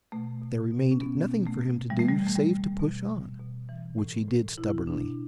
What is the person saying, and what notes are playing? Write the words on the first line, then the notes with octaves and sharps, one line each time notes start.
There remained nothing for him to do save to push on, which he did stubbornly.
B2 A3
B2
B2
C#4
B2 B3
B2
A3
B2
E3 G3
A3
G3
A2
A3
G3
A2
B2
B2
B2
E3
A2
A2
B2 E4
B2 D4